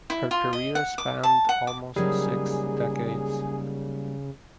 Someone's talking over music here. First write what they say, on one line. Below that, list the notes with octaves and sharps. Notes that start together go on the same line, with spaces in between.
Her career spanned almost six decades.
E4
F4
D#5
F#5
D6
A5
F#5
D6
C#3 F#3 G3 A#3 D#4 G#4